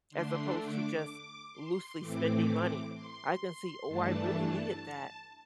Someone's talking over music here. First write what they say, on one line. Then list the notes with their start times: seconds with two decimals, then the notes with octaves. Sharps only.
as opposed to just loosely spending money. I can see, "Oh, I really needed that,"
0.10 D3 A3 D4 C6
0.58 D6
1.53 C6
1.99 A2 E3 A3 C4 D6
2.94 C6
3.40 C6
3.87 G2 E3 A3 D4 A5